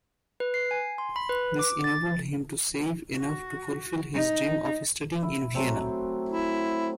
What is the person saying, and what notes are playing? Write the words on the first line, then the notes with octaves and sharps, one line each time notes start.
This enabled him to save enough to fulfill his dream of studying in Vienna.
B4
C7
G#5
C6
B5
B4
D6
A6
F#4
D#4
E4
F#3 A3 C4
E4